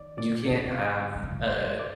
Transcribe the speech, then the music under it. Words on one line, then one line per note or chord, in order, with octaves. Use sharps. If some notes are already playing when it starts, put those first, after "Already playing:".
You can't have a
Already playing: D#3 D5
D5
D3
F5
D#5
D3
C3
G2
G#2
C5
D5